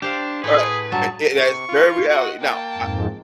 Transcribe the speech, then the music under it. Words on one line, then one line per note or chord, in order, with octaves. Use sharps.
Right, and and that's very reality now, I
D4 G4 C5 F5
A2 G#4 B4 C6
B5
G2 F#3 A5
C3 C#6
F4
F#4 D#5 F#5
A#3 G5 A5
F2 G#2